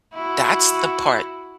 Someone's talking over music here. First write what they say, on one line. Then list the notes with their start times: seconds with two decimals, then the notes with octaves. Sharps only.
that's the part
0.15 E4 F#4